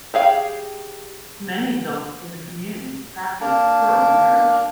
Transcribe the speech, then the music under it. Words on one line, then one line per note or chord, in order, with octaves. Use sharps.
Many adults in the community practice plural marriage.
G4 G#4 F5 G5
A#3 D4